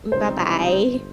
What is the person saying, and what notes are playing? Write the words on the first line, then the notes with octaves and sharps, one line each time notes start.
M Bye-bye.
C#2 C3 G3 C4 D#4 C5
G1